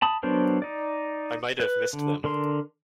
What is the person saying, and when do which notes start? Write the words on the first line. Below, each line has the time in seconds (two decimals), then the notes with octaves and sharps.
I might have missed them.
0.02 A5 B5 D#6
0.23 F#3 B3 D4 A#4 C5
0.62 D#4 D5
1.60 B4
1.93 D3
2.24 D3 A#4 C6